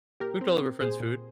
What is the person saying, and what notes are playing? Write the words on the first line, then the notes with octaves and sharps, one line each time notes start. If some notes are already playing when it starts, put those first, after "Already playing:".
Cooked all of her friend's food.
A#2 G4 A#4
C4
C4
A#2 G#4 C5
A#2